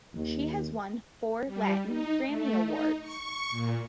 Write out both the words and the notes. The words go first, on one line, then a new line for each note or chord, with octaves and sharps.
She has won four Latin Grammy Awards.
D#2 D#3
G3
D#4
A3
D#4
C#6
A#2